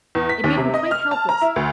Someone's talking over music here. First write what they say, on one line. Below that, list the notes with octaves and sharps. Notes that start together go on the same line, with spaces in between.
It made him quite helpless.
E2
B6
D#2
C3
D#5
F6
A5
A#5
E4
D2